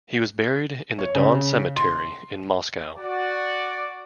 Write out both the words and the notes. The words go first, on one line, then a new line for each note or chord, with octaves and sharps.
He was buried in the Don Cemetery in Moscow.
C#5
C#3
C6
F#4 D5